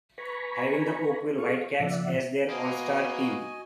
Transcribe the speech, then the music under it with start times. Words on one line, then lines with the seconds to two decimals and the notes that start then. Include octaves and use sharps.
Having the Oakville Whitecaps as their All-star team.
0.18 B4 G#5 A#5 B5 C#6
1.38 G#4 A4 F5 C#6
1.80 A#2 C#3 F3 D5 E5 F#5
2.49 A#3 B3 F#4 D#5 G#5